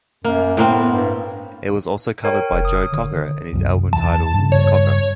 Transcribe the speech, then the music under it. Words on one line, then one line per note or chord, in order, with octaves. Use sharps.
It was also covered by Joe Cocker on his album titled "Cocker".
F#2 A#3
A2 A#3 C4
B3
G2
A#4 C#5 G5
F1
D#6
D3
C2 F#2
E2 A5
G2 C#3
C#5